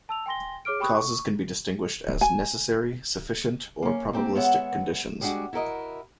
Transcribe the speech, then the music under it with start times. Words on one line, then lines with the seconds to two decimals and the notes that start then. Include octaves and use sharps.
Causes can be distinguished as necessary, sufficient or probabilistic conditions.
0.09 A5 E6 F7
0.26 G5 G#5 C6 A#6 G7
0.65 G#4 C#5 D6 F6 D7
0.80 G4 G5 B5 C#6 D#6 F#6
0.95 C#6
2.21 G#5
3.83 A#3 C#4
4.13 A#3 C4 G4
4.35 G#3 B3 C#5 E5 F#5
5.21 G3 G#3 D4 F#4
5.53 E4 F#4 A#4 D#5